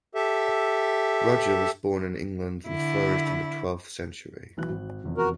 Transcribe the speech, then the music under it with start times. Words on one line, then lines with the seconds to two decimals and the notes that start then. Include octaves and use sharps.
Roger was born in England and flourished in the twelfth century.
0.15 G4 A4 E5
2.68 D3 E4
4.57 B1 E3 F#6
4.69 G#1
5.04 F1 E2 F3
5.17 F#4 A#4